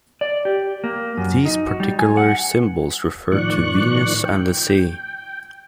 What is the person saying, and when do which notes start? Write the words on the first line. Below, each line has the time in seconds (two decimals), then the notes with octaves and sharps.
These particular symbols refer to Venus and the sea.
0.21 D5
0.45 G4
0.84 A#3
1.18 F#2
1.45 D#4
1.66 F#4
1.80 G3
1.99 G#5
2.17 F#5
3.32 A2 D#3 F3 D5 C#6 F#6
4.25 G5